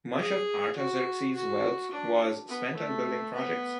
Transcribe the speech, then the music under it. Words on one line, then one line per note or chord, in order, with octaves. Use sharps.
Much of Artaxerxes' wealth was spent on building projects.
G#4
F#4
F#4
D4
B3
A3
B3